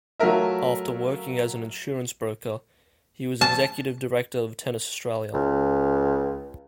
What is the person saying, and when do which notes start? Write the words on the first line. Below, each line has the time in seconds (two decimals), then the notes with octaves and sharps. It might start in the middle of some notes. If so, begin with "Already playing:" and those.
After working as an insurance broker, he was executive director of Tennis Australia.
0.20 F#3 A3 F4 A#4 E5
3.41 A5
5.34 C#2